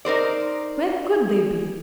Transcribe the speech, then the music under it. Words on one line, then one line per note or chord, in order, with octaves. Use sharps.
Where could they be?
D#4 A#4 C5 D5